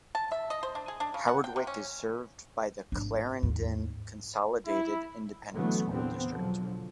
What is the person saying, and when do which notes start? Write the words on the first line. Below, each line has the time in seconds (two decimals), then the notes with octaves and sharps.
Howardwick is served by the Clarendon Consolidated Independent School District.
0.15 A5
0.32 E5
0.50 D#5
0.63 C5
0.75 D4
0.88 G#4
1.00 D4
1.14 C#3
1.29 F#5
1.44 G5
1.56 C3
1.67 C#4
2.92 G#1 D4
3.43 D#2 G#2
4.66 E4
5.55 D3 E3 F#3 A3 B3
5.89 E2 A#2 D3 B3 C4
6.31 B2 D3 F3 F#3